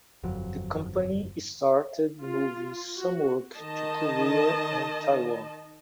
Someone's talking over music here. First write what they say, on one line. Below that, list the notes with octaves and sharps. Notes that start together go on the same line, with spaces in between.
The company started moving some work to Korea and Taiwan.
G1 F2 F#3
F4
F#4
D#3 D#5 A5